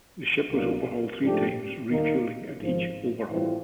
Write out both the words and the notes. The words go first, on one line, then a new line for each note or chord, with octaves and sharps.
The ship was overhauled three times, refueling at each overhaul.
C2 B2 F#3 A#3 D4
G#2 F3 A3 D4 G4
D#2 D#3 G3 A#3 D#4
G#1 G#2 F3
A2 E3 G3 C4 F4